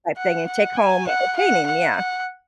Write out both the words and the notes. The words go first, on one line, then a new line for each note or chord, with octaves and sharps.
type thing, and take home a painting, yeah.
F#5
F#5
G#5
F#5
F#5
F#5
F#5